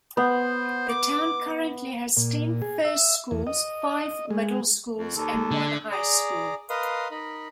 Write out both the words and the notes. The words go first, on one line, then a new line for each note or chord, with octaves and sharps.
The town currently has ten first schools, five middle schools and one high school.
B3 C5
D6
A#2
G#4
E5
E2
D#5
G#3
F2
D#2 A4
G#3 A#3
D3
G#4 D5 A#5
A#4 B4 D#5 F5 C6 D#6
D#4 A#4 B5